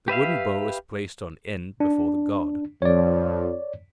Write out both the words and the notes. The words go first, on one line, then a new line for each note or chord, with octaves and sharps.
The wooden bow is placed on end before the god.
G4 B4 E5 F5
D4
F2 C#5 D5